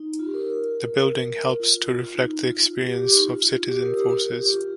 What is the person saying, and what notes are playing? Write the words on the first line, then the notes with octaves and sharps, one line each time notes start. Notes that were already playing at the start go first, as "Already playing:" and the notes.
The building helps to reflect the experience of citizen forces.
Already playing: D#4
F4
G4
A#4
A#4
F4
F4
D#4
D#4
F4
G4
G4
D#4
F4
G4
A#4
G4
A#4
G4
F4